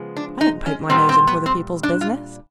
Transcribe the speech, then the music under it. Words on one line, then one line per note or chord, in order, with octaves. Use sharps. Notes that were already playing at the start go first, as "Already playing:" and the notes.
I don't poke my nose into other people's business.
Already playing: C#3 F3 G#3 B3
D4
D#4
C#4
A#2 G3 B3 C4
C4
B3
C4
D4
F4